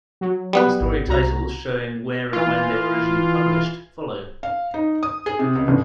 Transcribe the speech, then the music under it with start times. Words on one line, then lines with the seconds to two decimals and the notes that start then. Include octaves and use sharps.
The story titles, showing where and when they were originally published, follow.
0.21 F#3
0.53 G3 B3 B4
0.81 G#1
1.07 C2 F#4 A#5
2.33 E3 F4
4.43 F5
4.74 D#4
5.03 D#6
5.26 G#4
5.39 C3
5.56 C#2
5.68 G1